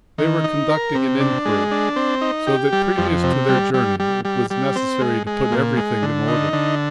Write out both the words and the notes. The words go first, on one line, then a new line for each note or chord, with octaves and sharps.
They were conducting an inquiry, so that previous to their journey it was necessary to put everything in order.
D#3
D#4
A#4
C3
D4
G#3
D4
C4
D#4
G4
G3
F2
C3
G3
G3
G3
G3
G3
C4
G#3
G#3
A#2
G#3
D3
D#4
D3